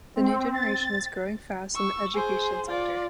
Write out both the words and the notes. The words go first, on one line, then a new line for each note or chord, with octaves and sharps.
The new generation is growing fast in the education sector.
C4
A6
C#6 E6
G#4 C5
F4 D5